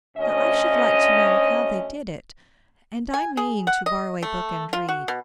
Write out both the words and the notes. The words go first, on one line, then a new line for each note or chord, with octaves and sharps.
Now, I should like to know how they did it; and I mean to borrow a book and read.
D2 C#4 D#5
G#5
G#4
F#5
D#5
A3
F4
F#4
B2